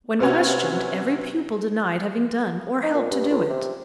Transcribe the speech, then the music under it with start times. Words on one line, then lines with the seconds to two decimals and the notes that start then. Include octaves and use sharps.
When questioned every pupil denied having done or helped to do it.
0.20 C3 B3 C#4 F#4
2.83 D#4
2.95 A#2
3.11 G2
3.29 C#2
3.49 C3